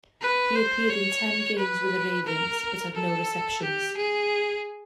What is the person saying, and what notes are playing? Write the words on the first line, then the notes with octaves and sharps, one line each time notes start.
He appeared in ten games with the Ravens, but had no receptions.
B4
C5
C#5
B4
A#4
A4
G4
G#4